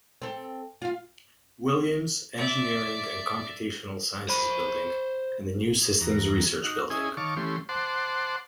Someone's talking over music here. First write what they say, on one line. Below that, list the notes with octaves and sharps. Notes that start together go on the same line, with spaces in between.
Williams Engineering and Computational Sciences Building, and the new Systems Research Building.
C4 A4
F4 F5
D5 E5
C5 B5
E2 A#5
D#4 F#4
C#4 E4 G#4 D#5 G#5
D#3 C#5 F5 A5 C#6 D6
E3 A3 C#4 G4 C6
C5 F#5 A5 C6 D6